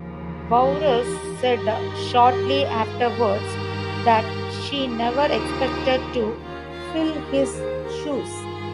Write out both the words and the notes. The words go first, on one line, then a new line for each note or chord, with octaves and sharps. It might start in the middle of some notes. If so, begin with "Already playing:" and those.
Bowers said, shortly afterwards, that she never expected to "fill his shoes".
Already playing: D#2 C#3 F3
D#4 G4
G2 D#3 D#4 G4
D#4 G4
F4 G#4
G2 D#3 G4 A#4
D#2 C#3 F3 D#4 G4
D#2 D#3 C#4 F4
C#4 F4
D#4 G4
G4 A#4
G#4 C5
G4 A#4
G2 D#3 F4 G#4